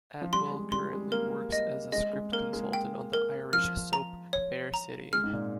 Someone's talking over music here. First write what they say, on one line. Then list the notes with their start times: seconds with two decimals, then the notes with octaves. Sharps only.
Atwell currently works as a script consultant on the Irish soap Fair City.
0.22 F3
0.33 G3 C6
0.52 G#3
0.72 G3 C6
0.93 G#3
1.12 A#3 A#4
1.52 D#5
1.92 G#3 D#5
2.13 G#3
2.32 A#3 A#4
2.53 G#3
2.73 G5
3.13 A#4
3.53 F3 F6
3.93 A#5
4.33 C#5
4.74 A#5
5.13 G#3 F6
5.24 G#2
5.33 A#2